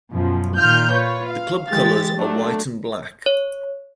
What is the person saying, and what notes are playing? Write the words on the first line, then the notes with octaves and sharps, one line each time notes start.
The club colours are white and black.
F#2 B2 F3
A#2 D#3 F4 F6 G6
F4 B4 C#5
F5
E3 G#3 G4 A6
F#3 A3 D4
C#5